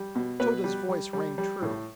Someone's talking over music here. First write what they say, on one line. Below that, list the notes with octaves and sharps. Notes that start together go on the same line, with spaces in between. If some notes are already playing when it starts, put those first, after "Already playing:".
Tode's voice rang true.
Already playing: G3
B2
B2 B4
G3
G3
G3
G3
A2